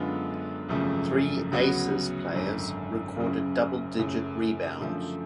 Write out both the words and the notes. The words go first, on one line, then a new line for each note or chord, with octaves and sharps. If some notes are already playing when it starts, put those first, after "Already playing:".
Three Aces players recorded double digit rebounds.
Already playing: F#2 D3 G#3 B3 F4
G#1 F#2 C#3 F3 A3
D2 C#3 F#3 B3 F#4
G#1 F#2 D3
F#1 F#2 C#3
F#2 C#3 F#3 A3
F#2 D3 F3 A3